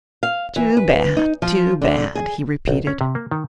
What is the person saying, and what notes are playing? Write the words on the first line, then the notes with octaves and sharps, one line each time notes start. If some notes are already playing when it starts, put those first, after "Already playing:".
"Too bad, too bad," he repeated.
F5
E3
B4
D#4
F3
D3
G#4
B1
C#4
C3
A#3
D#3